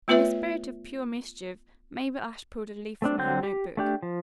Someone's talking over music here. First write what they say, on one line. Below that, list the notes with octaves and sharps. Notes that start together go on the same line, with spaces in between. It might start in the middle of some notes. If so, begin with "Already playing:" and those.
In a spirit of pure mischief Mabel Ashe pulled a leaf from her note book.
A3 B3 F4 B4 C#5 E5
A3 C4 D4
D3 F#3 C4 G6
G4
A3 D4 G4
F3